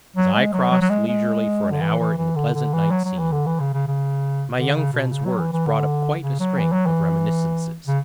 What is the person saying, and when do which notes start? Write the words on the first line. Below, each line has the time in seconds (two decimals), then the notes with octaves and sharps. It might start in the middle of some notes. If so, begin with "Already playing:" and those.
As I cross'd leisurely for an hour in the pleasant night-scene, my young friend's words brought up quite a string of reminiscences.
0.16 F#3
0.34 G#3
0.53 F#3
0.71 F#3
0.81 F#3
0.90 G#3
1.08 G#3
1.71 D3
1.81 E3
2.00 E3
2.18 E3
2.36 D3
2.55 D3
2.73 E3
2.91 F#3
3.05 F#3
3.19 E3
3.32 D3
3.46 E3
3.60 C#3
3.74 C#3
3.87 C#3
4.56 D3
4.75 C#3
4.94 B2
5.11 C#3
5.25 F#3
5.39 E3
5.53 E3
5.67 D3
6.21 C#3
6.40 F#3
6.58 E3
6.73 F#3
6.86 E3
7.87 C#3